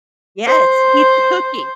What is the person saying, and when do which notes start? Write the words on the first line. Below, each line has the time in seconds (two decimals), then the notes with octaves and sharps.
Yes, eat the cookie.
0.47 C5